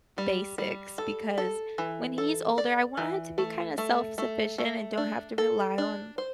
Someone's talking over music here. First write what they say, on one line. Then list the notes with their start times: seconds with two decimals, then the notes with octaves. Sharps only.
the basics," because when he's older, I want him to be kinda self-sufficient and don't have to rely on
0.18 G3
0.58 G3
0.98 A4
1.38 A4
1.78 E3
2.18 A4
2.58 D5
2.97 E3
3.38 A3
3.78 A3
4.18 A3
4.58 A3
4.98 D4
5.38 A4
5.78 D4
6.18 C5